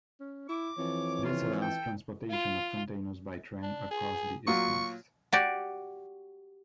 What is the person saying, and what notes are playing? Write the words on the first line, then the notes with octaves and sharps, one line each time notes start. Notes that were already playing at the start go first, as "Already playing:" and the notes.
This allows transportation of containers by train across the isthmus.
C#4
E4 D6
F2 E3 C#5
F4
A4 G5
F4
D4
G#4
A#2 F#3 F4 C#6
F#4 G4 D5